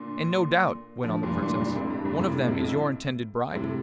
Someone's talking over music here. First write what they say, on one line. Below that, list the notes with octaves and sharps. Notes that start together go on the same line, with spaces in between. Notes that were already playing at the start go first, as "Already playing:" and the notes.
'And no doubt,' went on the Princess, 'one of them is your intended bride?'
Already playing: A#2 D3
D3 F3
G2 A#2
G2 A#2
G2 A#2
F2 A2
G2
G2 A#2
A2 C3
F2 A2
A2 C3